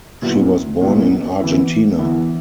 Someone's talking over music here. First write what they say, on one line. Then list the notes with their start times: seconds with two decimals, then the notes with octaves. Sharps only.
She was born in Argentina.
0.22 A#2 F#3 B3 E4
0.81 A#2 F#3 B3 E4
1.40 E3 B3 E4
1.99 E3 B3 E4